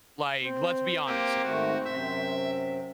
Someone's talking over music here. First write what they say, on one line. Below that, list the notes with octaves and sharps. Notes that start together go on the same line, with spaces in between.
Like, let's be honest here.
C4
A#3 C4 G4
G#2 D#3 A3 F#4
F#2 C3 E5